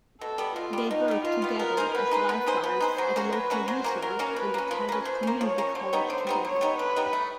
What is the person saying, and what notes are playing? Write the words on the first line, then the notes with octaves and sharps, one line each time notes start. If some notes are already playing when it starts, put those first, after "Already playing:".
They worked together as lifeguards at a local resort and attended community college together.
B2 A4
G3 B3
B2 F4
G3 B3
B2 D#4
G3 B3
B2 F4
G3 B3
B3 A#4
D#4 G#4 C5
B3 B4
D#4 G#4 C5
B3
D#4 G#4 C5
B3 B4
D#4 G#4 C5
F#3 C5
A#3 C#4 F#4
F#3 B4
A#3 C#4 F#4
F#3 C5
A#3 C#4 F#4
F#3 A#4
A#3 C#4 F#4
F3 B4
A#3 C#4
F3 B4
A#3 C#4
F3 C5
A#3 C#4
F3 C#5
A#3 C#4
D3 C#5
G3 B3 D#4
D3 C5
G3 B3 D#4
D3 C#5
G3 B3 D#4
D3 B4
G3 B3 D#4
A3